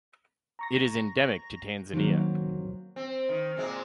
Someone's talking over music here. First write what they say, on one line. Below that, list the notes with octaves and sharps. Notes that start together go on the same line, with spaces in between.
It is endemic to Tanzania.
A#5 C#6 A#6
D#3 F#3 A#3 C4
C4
D#3
A#2 G#3 C4